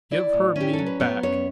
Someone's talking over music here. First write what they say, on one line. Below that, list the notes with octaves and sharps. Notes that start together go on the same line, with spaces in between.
"Give her me back!"
E4 D5
A2
C#4 G4
A4
F#3
B4
B3 C#5
F#2 C#5